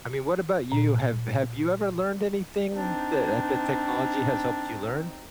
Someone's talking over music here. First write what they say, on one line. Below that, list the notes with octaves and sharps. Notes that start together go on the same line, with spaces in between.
I mean, what about you? Have have you ever learned anything that, uh that technology has helped you learn?
A#2
C4 D4 D#4